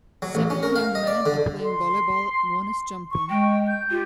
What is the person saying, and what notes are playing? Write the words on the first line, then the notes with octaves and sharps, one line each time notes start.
Several young men are playing volleyball one is jumping.
F#3
A1
C#4
A#4
F5
D#5
D5
D3
C6
C#6
G#3 G5
G6
F4 G4